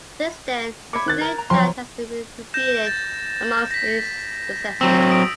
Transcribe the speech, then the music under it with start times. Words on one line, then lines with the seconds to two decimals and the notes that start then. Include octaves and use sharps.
Since then, it’s a name that has been repeated amongst his successors.
0.93 E5 B5 D6 G#6 C#7
1.06 D#3 F#6 A6
1.21 A#4
1.38 A#5
1.50 F3 F#3 C#5 G5 C6
2.54 G6 A#6 E7
2.85 G6 A6
3.71 A#6 B6
4.81 F#3 C4 E6
5.09 D#6 D7